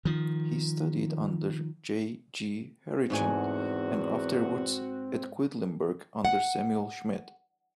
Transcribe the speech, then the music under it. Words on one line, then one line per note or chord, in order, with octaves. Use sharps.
He studied under J. G. Herrichen, and afterwards at Quedlinburg under Samuel Schmid.
D#3 F3
E2 G#2 A3 C4 F#4 G#5
F#5